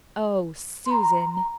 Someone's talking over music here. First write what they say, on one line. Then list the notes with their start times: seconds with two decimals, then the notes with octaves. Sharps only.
"Oh, SUSAN!"
0.86 C6
0.91 A#5